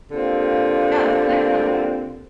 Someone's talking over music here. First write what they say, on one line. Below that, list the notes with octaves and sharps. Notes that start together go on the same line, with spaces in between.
Yeah, that's an excellent way.
D3 A#3 C4 F4 G4